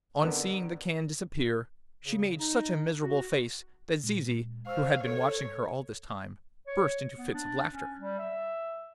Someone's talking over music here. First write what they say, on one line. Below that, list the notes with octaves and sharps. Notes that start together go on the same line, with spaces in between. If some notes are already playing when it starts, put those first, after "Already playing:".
On seeing the can disappear, she made such a miserable face that Zizi, who had been watching her all this time, burst into fits of laughter.
F2 D3 D#3 B3
C#3
D#4
F#4
A#2 G#3
C5 F5 C#6 E6 F6
A4 C5 C#5
C#5
B3
D4
C#4
G3
E5